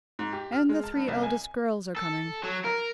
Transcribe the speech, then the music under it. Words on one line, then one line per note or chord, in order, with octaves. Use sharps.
"And the three eldest girls are coming."
G#2
G4
F6
G#3
A5
G2
C2
G#5
A4
F#3
A#4